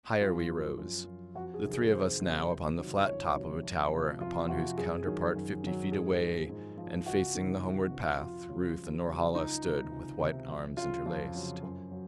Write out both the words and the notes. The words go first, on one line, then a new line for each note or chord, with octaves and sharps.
Higher we rose; the three of us now upon the flat top of a tower upon whose counterpart fifty feet away and facing the homeward path, Ruth and Norhala stood with white arms interlaced.
F#2 F4
F3
F#2
F3
F2 F#4
G#4
C3 D#3 F#3
G#4
F2 C5
C3 D#3 F#3
C#2
C3 D#3 F#3
C#2 C#5
C3 D#3 F#3
F2
C3 F3
F2 F4
C3 F3 F#4
F#2 G#4
D#3 F#3
F#2
D#3 F#3
G#2 G#4
F3
G#2
F3
C#2 F#4
C3 D#3
C#2
C3 D#3
F2 F4
C#3 F#3
F2
C#3 F#3
C#2 D#4
C3 D#3
C#2
C3 D#3
F2
C#3 F#3 F4
F2 F4
C#3 F#3
F#2
F#3